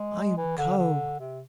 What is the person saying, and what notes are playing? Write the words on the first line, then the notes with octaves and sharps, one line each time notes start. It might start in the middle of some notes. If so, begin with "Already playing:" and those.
"I am cold."
Already playing: G#3
E3
D3
D3
C3